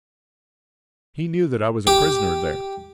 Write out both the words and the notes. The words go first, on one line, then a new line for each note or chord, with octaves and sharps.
He knew that I was a prisoner there.
G4